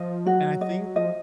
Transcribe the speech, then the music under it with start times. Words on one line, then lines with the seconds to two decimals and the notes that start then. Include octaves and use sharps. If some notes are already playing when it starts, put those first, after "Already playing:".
And I think
Already playing: F3 D#5
0.25 F#3 F#4
0.61 D#5
0.96 F3 D#5